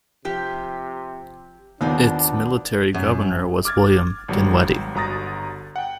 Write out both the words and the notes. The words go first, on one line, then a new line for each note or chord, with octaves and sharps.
Its military governor was William Dinweddie.
C3 F3 G4
D#2 B3 C4 D4 D#4 F4
F#2
D6 F6 G#6 A6
G#1 F#3 G3
G1 F#4 A#5 D#6 A6 A#6
F#5 G5